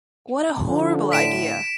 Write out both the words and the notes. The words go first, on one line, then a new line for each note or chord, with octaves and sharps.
What a horrible idea!
D3 F3
A2 B6 D7 E7